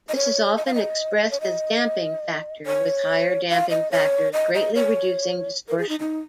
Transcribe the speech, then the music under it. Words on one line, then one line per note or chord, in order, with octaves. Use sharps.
This is often expressed as damping factor, with higher damping factors greatly reducing distortion.
D#5
C#5
D#5
F5
D#5
C#5
D#5
C#5
F5
D#5
C#5
D#5
D#5
C#5
A#4
G#4
D#4
D#4